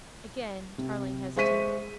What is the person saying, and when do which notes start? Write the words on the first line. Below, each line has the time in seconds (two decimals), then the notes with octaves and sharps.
Again Tarling hesitated.
0.78 C3
1.36 G#3 C5 E5 C#6 B6 D#7